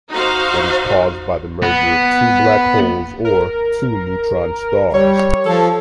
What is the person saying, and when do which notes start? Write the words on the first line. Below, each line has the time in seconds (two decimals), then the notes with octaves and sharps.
It is caused by the merger of two black holes or two neutron stars.
0.10 D#4 F#4 C5 F5
1.62 B3
3.25 A#4
4.94 G3 C#5
5.46 F3 A4